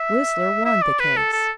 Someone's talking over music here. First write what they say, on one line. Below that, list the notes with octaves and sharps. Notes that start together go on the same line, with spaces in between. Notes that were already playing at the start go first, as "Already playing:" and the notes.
Whistler won the case.
Already playing: E5
E5
D5
B4
A4
A4